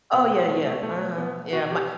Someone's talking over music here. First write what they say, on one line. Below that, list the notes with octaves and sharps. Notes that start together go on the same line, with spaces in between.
Oh yeah, yeah, uh-huh. Yeah, my
B2 B3
A3
B2 A3
A3
B2 A3
B2 B3
B2 F#4
G4